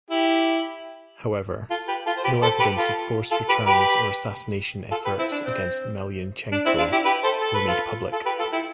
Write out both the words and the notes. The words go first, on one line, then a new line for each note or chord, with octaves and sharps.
However, no evidence of forced return or assassination efforts against Melnychenko were made public.
E4 G4
F4 A4
G4 B4
F4 A4
C5
G4 B4
A4 C5
G4 B4
F4 A4
F4 A4
G4 B4
G4 B4
F4 A4
G4 B4
C4 E4
D4
C4
D4
C4 E4
D4 F4
E4 G4
G4 B4
A4 C5
A4
B4
F4 A4
F4 A4
G4 B4
F4 A4
E4 G4